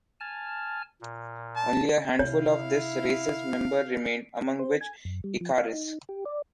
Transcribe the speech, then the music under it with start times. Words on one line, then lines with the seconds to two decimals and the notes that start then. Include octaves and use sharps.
Only a handful of this race’s members remained, among which Ikaris.
0.20 G#5 A5 F6
1.01 A#2
1.56 A5
2.19 C3 E4 C#5 F5
4.59 C5
4.81 G#5
5.05 F#2
5.24 G3
5.41 F3
5.56 F5
5.73 D#4
6.09 G4
6.25 D5